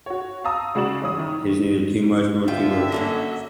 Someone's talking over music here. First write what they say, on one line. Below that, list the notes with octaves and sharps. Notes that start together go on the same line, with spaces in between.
It is neither too much nor too little.
F#4 C#5
F5 A5 A#5 D#6 E6
C#3 G#3 F#4 D5 E7 F#7
G1 E3 C#4 D#6
D#3 E4
D3 F4 E5 G5
A#3 C#4 F#4 A4